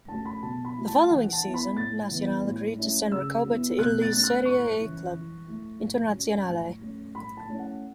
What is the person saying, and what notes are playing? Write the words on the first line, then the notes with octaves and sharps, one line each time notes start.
The following season, Nacional agreed to send Recoba to Italy's Serie A club Internazionale.
F#3 A3 C#4 A5
B5
B2 A5
B5
F#3 A3 E4
A5
E3 F#5
A5
B3 E4
B5
A2 A6
E3 B3 E4
A2
A3 C#4 E4
C#3 E6
F#3 B3 E4
B2 F#6
A6
A3 C#4 A6
F#6
A2 C#6
E3 C#4 E4
E3
A3 E4
A2
F#3 C#4
A2
A3 C#4
A2 B5
A5
A3 C#4 E4
F#5